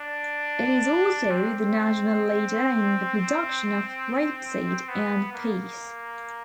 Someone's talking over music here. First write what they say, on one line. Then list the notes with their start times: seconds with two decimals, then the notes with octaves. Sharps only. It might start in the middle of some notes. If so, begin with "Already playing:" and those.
It is also the national leader in the production of rapeseed and peas.
Already playing: D4
1.31 C4
4.89 B3
5.33 A#3